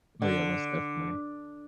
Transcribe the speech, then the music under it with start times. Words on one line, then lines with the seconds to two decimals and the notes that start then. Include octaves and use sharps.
Oh yeah, most definitely.
0.22 D3